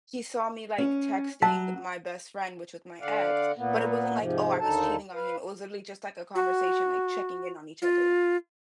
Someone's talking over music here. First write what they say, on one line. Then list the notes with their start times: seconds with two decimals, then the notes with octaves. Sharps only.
he saw me, like, texting my best friend, which was my ex. But it wasn't like, oh, I was cheating on him. It was literally just like a conversation, like, checking in on each other.
0.78 C#4
1.42 F#3 A5 B6
3.01 D3 D5 F5 F#5
3.57 A#2 A#3 B3
4.18 G#2 C3 F3
4.60 D#2 D3 D#4 A4 A5
5.14 B4 F5
6.35 F#4
7.82 F4